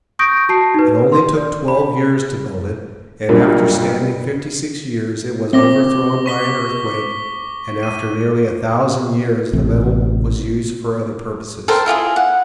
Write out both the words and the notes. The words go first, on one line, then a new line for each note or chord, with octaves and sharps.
It only took twelve years to build it and after standing fifty-six years it was overthrown by an earthquake and after nearly a thousand years the metal was used for other purposes.
C#6 D#6 G6 A#6 D7
F#4 A5 C7
D#4 B4
C6
D5
B5
B1 G2 A#2 A#3 D4
C4 D6 A#6 G7
C#6 B6 G7
D#7
A1 C3
A4 A#4 C5 G5
E4 F4 G4 G#4
F#5